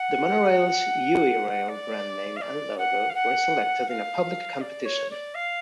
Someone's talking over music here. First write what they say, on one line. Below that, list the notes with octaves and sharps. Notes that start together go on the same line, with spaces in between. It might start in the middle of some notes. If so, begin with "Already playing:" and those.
The monorail's "Yui Rail" brand name and logo were selected in a public competition.
Already playing: F#5
D5
F5
D5
F#5
F5
F#5
F5
D5
C#5
D5
F5